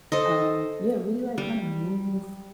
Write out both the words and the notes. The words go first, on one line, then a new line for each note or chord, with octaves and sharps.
um, yeah, really, like, kind of move
A4 C5 D#5
G3